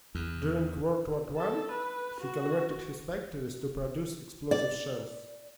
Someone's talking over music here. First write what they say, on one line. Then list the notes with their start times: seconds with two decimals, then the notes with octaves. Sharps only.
During World War One, he converted his factories to produce explosive shells.
0.15 E2
1.37 A4
1.71 B4
2.20 F#4
4.51 D5